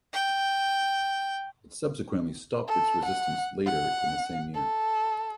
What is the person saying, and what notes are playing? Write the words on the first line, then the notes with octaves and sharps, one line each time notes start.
It subsequently stopped its resistance later in the same year.
G5
A4
F#5
F#5
A4